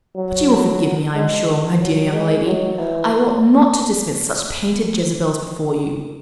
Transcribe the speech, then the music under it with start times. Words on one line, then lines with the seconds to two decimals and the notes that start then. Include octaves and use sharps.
But you will forgive me, I am sure, my dear young lady: I ought not to discuss such painted Jezebels before you.
0.16 F#3
1.15 G#3
1.80 F#3
2.13 G#3
2.46 F#3
2.79 E3